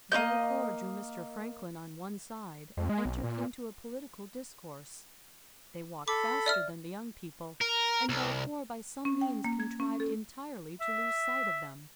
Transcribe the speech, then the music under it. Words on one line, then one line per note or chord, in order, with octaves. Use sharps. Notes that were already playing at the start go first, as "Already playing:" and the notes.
Belcour drew Mr. Franklin on one side and entered into a political discourse: they walked faster than the young people, and Belcour by some means contrived entirely to lose sight of them.
A#3 C#4 D#5 G6
F2
G#3
B1
A#2
A4 B5 D6
D5 E5 F6
A#4
C2
C#4
G5
A#3
G#6
C#4
A4
E5